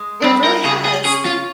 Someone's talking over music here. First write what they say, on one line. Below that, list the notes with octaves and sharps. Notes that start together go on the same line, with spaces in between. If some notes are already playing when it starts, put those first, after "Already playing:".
It really has,
Already playing: G#3
G3 C4
A#4
C#3 G#4
G#4
C#4 G#4
F4